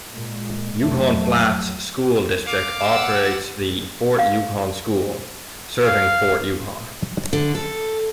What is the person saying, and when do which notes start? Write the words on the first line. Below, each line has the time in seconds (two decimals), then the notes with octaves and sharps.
Yukon Flats School District operates the Fort Yukon School, serving Fort Yukon.
0.13 A#2 G#3
0.78 F2 F#3 A3
2.46 F5 D6
2.86 F#5 E6
4.19 F5
5.84 F5
7.33 D3
7.55 A4